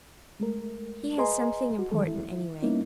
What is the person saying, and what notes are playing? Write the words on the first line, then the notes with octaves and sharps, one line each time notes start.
He has something important, anyway.
G#3 A3 A#4
G#4 B4 D#5 G#5 A#5 C6
F#4
D#3 E3 F#3 G#3 A4
E4
G3 A#3 B3 C#4 D#4 E4